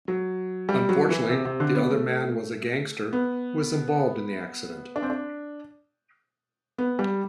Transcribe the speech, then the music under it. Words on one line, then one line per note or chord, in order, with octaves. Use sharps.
Unfortunately, the other man was a gangster who was involved in the accident.
F#3
G3
F#3
E3
C3
C3
D3
B3
A3
B3
D4
C4
D4
B3
G3